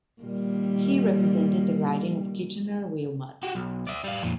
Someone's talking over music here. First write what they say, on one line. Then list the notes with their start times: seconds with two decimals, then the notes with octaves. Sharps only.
He represented the riding of Kitchener-Wilmot.
0.22 A#2 D#3 G3
3.43 F#4 G4
3.55 B1
3.87 D5 E5
4.04 G3 F5
4.22 F2 A#2